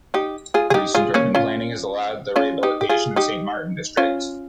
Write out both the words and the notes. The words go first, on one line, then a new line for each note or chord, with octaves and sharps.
Recent urban planning has allowed the rehabilitation of Saint-Martin district.
D#4 G4
F4 G#4
G#4
D#4 G4
F4 G#4
A#3 C#4
C#4 F4
C#4 F4
D#4 G4
G4
F4 G#4
D#4 G4
C#4 F4